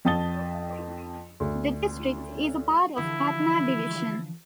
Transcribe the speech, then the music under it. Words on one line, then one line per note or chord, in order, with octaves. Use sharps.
The district is a part of Patna Division.
F2 G5 A5 D#6 A6 G7
D2
D3 E3 F3 E4